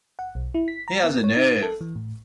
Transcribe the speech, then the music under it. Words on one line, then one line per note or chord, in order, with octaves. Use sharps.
He has a nerve.
F#5
B1
E4
B6
A#5
B3
C#5
D#4
A4
E3
A2